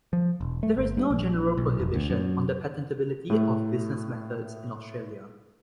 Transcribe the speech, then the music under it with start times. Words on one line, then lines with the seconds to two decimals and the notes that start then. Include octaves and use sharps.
There is no general prohibition on the patentability of business methods in Australia.
0.13 F3
0.41 E1
0.63 A3
0.77 G1
0.97 G2
1.11 A#1
1.57 B1
1.79 F1
1.95 D2
2.10 F#2
3.30 A2 A3